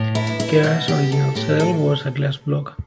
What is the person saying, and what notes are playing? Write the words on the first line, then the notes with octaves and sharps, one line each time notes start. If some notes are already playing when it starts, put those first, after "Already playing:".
Kerr's original cell was a glass block.
Already playing: A2
E4
E3
E4
B2 F#4
G4
A4
A2 G4
A4